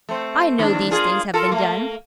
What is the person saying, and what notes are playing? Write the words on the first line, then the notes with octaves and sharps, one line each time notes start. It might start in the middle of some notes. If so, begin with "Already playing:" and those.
I know these things have been done.
A3 C4
D#2 D4
A#3 F4 G#4
F4 A4 A#4
A3 A#3